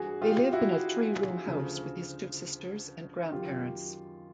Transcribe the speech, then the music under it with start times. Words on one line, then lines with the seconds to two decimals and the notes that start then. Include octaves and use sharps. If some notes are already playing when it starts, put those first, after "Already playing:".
They lived in a three-room house with his two sisters and grandparents.
Already playing: G2 E3 F#4 G#4
0.22 F4 G4
0.52 E4 F#4
1.45 D2 C#3 F3
3.32 F#2 D#3 F4 G4